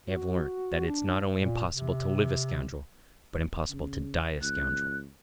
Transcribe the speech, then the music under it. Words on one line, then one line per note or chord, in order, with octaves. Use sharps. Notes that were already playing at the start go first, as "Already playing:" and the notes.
I have learnt that it's not only impossible to live a scoundrel, but impossible to die a scoundrel....
F#4
D4
A#2
C3
C#3
C#2 F#6